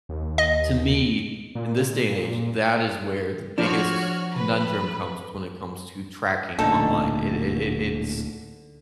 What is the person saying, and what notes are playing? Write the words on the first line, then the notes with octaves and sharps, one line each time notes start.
To me, in this day and age, that is where the biggest conundrum comes when it comes to tracking online. It it it it's
D#2
D#5
A#2
F3 D4 F#4 C#5 F6
B4
D1 D2 A#2 D3 C#4 D#4 A4